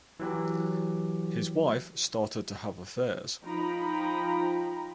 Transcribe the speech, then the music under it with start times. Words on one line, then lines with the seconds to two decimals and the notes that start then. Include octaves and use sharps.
His wife started to have affairs.
0.20 E3 F#3 G4
3.42 F3 D#4 G5 A#5 B5